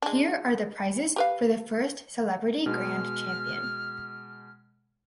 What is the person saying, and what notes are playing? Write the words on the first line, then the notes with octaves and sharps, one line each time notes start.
Here are the prizes for the first Celebrity Grand Champion.
G#3 D4
G4 B4 F5
B2 G#3 F6